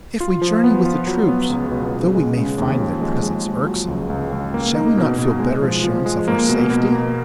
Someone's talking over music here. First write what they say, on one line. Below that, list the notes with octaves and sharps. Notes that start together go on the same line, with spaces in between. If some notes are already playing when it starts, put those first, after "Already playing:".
"If we journey with the troops, though we may find their presence irksome, shall we not feel better assurance of our safety?"
F4
F3
B3
F4
F#3
B3
C#2
B2
C#3
G#3
C#3
D#2
F3
G#3
G#3
F3
F#3
C#2
C#2
C#2
A#3
D#4
B2
B2
G#3
F3
F3
G#3
A#3
B2
B2
A#3